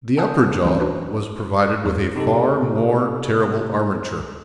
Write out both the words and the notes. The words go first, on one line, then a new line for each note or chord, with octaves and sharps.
The upper jaw was provided with a far more terrible armature.
F#5 G#5 A5 D#6 F#6 G6
D2 E3 F#3 C4 C#4
D4 F#4 B4
E2 F#3
C3 D#4 G4 A4